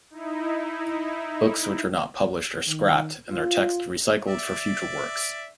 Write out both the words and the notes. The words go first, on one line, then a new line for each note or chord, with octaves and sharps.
Books which are not published are scrapped, and their text recycled for future works.
D#4 E4
D#3
F4
D5 E5